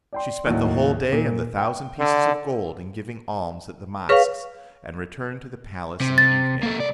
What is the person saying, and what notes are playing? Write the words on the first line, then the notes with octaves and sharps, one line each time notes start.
She spend the whole day and the thousand pieces of gold in giving alms at the mosques, and returned to the palace in the evening.
D5 G5 C6
D#2 A2 F#3
A#2
G5
D3
G#4 B4 C#5 F5 C#6
C3
A6
A#3 A4
C2 D5